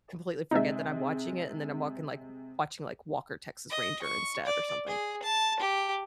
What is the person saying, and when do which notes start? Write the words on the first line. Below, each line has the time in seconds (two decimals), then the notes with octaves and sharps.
completely forget that I'm watching it and then I'm walking like watching like Walker, Texas Ranger instead or something,
0.51 C3 G#3 D#4 E5
3.70 D#5
4.02 C#6
4.46 D5
4.87 G#4
5.23 A5
5.60 G4